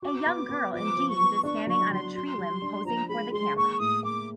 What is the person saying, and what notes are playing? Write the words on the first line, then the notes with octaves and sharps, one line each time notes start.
A young girl in jeans is standing on a tree limb posing for the camera.
F#4 D6
B3
B3
F3 D6
F3
C#6
B3
D4 C#6
F#3 C#6
F#3 C6
F#4 C6
G3
D4
F3 A#5
G#3 B5
G#3 C6
A#3 C#6
A2 D#6
A#3 D6